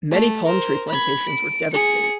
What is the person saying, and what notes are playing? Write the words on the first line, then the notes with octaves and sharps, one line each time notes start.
Many palm tree plantations were devastated.
A3
A#4 C5
B5 G#6
D7
G#4 C#7